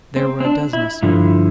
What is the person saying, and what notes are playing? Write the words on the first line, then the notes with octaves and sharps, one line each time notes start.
There were a dozen assaults.
C4
C4
D4
E4
G2 D3 F3 E4